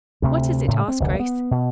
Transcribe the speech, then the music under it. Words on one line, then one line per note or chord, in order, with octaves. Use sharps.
"What is it?" asked Grace.
D2 C3 A3
A2 C#3 A3
C4
F1 D2
A3 B3
B2